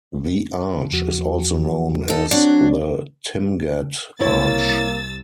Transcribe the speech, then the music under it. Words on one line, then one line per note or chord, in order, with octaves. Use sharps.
The arch is also known as the Timgad Arch.
E2 F3 F#4
D#4 A4
F#3 C4 D4 C#5 D5
C2 A#3 E4 C#5 E6 A6